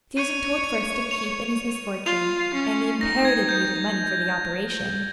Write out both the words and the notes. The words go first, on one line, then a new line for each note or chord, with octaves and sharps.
Susan told first of Keith and his misfortune, and the imperative need of money for the operation.
C#5 D#7
F7
F4 F7
C#4
D#4 A#6
G#6
G6